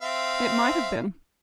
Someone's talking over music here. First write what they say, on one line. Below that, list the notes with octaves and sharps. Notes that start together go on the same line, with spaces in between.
It might have been.'
C4 E5 F5